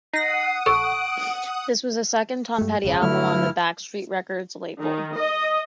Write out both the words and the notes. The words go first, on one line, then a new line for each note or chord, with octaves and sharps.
This was the second Tom Petty album on the Backstreet Records label.
D#4 F#5 D#6 A#6 C7
A#1 A4 C#6 D7
G2 A3
E1 C#2 C#3
G2 D3 F#3 A3 E4 F6
D#3
D#5